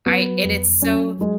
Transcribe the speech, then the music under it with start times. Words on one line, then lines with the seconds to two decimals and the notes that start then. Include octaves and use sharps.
I and it's so
0.06 F#3 B3
0.45 F2
0.82 F#3 C#4
1.19 F#3 G#3